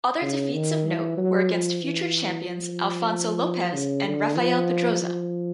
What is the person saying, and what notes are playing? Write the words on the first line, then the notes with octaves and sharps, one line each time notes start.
Other defeats of note were against future champions Alfonso Lopez and Rafael Pedroza.
C#3
D#3
E3
F#3
F3
E3
F3
C#3
D3
F3
F3